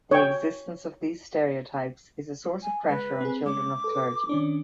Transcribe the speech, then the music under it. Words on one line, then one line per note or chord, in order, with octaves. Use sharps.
The existence of these stereotypes is a source of pressure on children of clergy.
C#5 G5
G#5
G#3 B4
C4 G#4
G#3 C#4 D6
A4 B4
D#3 C#4 D4